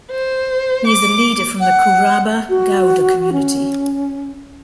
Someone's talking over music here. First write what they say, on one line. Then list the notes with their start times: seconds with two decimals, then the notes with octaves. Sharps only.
He is a leader from the Kuruba Gowda community.
0.11 C5
0.87 D6
1.60 F#5
2.49 F#4
3.33 C#4